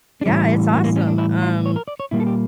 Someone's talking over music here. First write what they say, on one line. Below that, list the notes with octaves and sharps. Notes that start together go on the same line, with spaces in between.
Yeah, it's awesome, um,
D4
A2 E3 G3 C#4
A#3
A#3
C#4
D4
E4
F4
C#5
A#4
D5
C#5
A#2 G3 A#3 E4
A4
G4